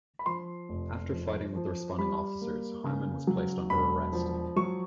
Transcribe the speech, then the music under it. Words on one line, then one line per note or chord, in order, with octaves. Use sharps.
After fighting with the responding officers, Harmon was placed under arrest.
B5
F3 C6
F1
F3
F3
G3 B5
A#3
C#3
F#3
E1 B5
F3
F#3 C#6